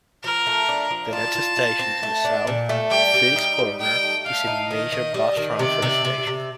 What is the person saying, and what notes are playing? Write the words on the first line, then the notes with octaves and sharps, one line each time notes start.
The next station to the south, Fields Corner, is a major bus transfer station.
F3 A#4
A3
D4
F3
F4 A5
F4
F4
C4
A3
D4
A#2
A3
G3 G5
G3
D#4
G3
D#4 G5
A3
A3 F5
D#4
D#3 D#5
D#3
G3
D#3
C3 D5
C3
C3
C3